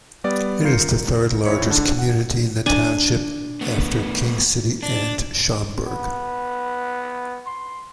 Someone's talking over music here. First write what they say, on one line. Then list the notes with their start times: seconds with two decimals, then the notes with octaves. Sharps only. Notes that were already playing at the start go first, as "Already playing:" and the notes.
It is the third-largest community in the township, after King City and Schomberg.
0.24 G3 B3 D5
0.64 F4 A#4 G6 C7 C#7
1.45 A1 E4 C#5 C#7
1.70 D3 D4
1.99 F#5
2.66 D4 G#5
3.61 A3 B3
4.83 D4
5.87 B3
7.47 C6